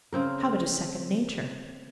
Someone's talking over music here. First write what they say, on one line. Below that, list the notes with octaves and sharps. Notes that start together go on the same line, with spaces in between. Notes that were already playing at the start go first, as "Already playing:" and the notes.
Habit is second nature.
C#3 C4 A#4